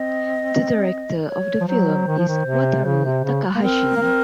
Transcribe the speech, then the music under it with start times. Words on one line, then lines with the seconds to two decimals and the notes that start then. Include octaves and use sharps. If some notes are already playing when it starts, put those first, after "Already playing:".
The director of the film is Wataru Takahashi.
Already playing: C4 D#5
1.28 C#5
1.61 F3
1.68 F#3 C5
2.07 D#3
2.18 F3
2.28 D#3
2.45 C3
2.85 C#3
3.05 C3
3.24 C#3
3.55 A#3
3.62 C4 A#4
3.96 A#3
4.02 C4